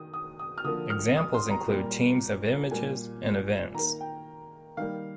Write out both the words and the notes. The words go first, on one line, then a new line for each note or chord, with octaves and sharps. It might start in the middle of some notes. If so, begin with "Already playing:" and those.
Examples include teams of images and events.
Already playing: D#3 D#6
D#6
D#6
F6
D3 F3 A#3 D#6
F6
D#6
C6
A#5
A#2 G3 A#3
A#2 G3 A#3 G#5
D#3 A#3 A#5
G5
D#3 G3 A#3 F5